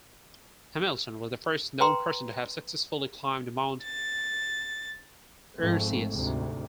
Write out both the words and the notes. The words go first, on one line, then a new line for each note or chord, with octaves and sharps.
Hamilton was the first known person to have successfully climbed Mount Erciyes.
B4 G5 A#5 C6
A6
G#1 F2 G#2 F3 A3 C4
D2 G#2 C3